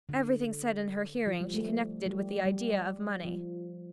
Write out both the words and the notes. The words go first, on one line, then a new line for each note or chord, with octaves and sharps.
Everything said in her hearing she connected with the idea of money.
D3
F3
G3
A3
G3
G3
F3